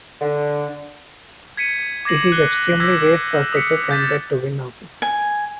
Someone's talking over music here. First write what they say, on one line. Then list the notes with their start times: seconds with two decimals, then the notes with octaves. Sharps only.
It is extremely rare for such a candidate to win office.
0.21 D3
1.57 G#6 B6 C#7 D#7
2.05 D6 G#6 A#6 C7 F#7
2.32 F#6 C7 G7
2.80 D6 E6 G6 G#6 A#6 B6
3.53 D#6 B6 C#7
3.89 D6 G6 A6 B6
5.02 G#5